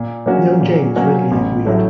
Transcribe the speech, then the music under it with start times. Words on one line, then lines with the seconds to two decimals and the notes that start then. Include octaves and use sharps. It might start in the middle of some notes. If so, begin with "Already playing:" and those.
Young James readily agreed.
Already playing: A#2
0.26 F#3 A#3 C#4 F#4
0.61 A#2
0.96 F#3 A#3 C#4 F#4
1.31 A1
1.65 A2 F#3 A3